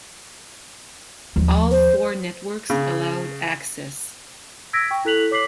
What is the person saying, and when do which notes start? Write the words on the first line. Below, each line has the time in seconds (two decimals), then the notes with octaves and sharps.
All four networks allowed access.
1.36 D#2 F3
1.71 C5
2.70 C#3
4.73 E6 G#6 A#6 B6 D7
4.91 G5 C#6
5.05 E4 A4 F#6 B6 F7 F#7
5.31 C#5 D6 B6 C7 F#7